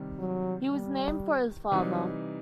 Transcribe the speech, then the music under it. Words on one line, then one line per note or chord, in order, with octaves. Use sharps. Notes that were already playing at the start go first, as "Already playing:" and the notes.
He was named for his father.
Already playing: C3 D#3 G3
F#3
G3
C3 E3 F#3 G3 D#4